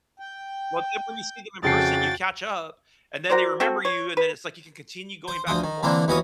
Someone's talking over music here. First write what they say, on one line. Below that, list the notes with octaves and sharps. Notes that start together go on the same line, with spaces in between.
well, then when you see them in person, you catch up, and then they remember you, and then it's like you can continue going back and forth.
G5
F2 C#3 F#4 G5 A6 C7
F#4 A#4 C5 D5
C4 F#4 A4
C#5
B4
C5
D2 F3 C5 D#6
D#3
D3 E3 A#3 C4 D4
D#2 E3 B3 F#4 F5 D#6